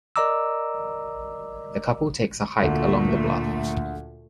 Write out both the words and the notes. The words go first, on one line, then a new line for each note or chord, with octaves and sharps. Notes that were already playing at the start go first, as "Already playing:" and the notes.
The couple takes a hike along the bluff.
A#4 D5 D#5 A#5 D6 E6
D2 A#2 A3